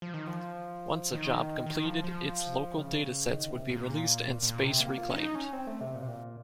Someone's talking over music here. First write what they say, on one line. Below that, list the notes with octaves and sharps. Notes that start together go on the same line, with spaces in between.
Once a job completed, its local datasets would be released and space reclaimed.
F3
D#3
F3
D#3
D#3
F3
F3
C#3
D#3
C3
A#2
A#2
C3
A#3
F4
C#4
D#4
C#4
C4
A3
C3
A#2
C3
A#2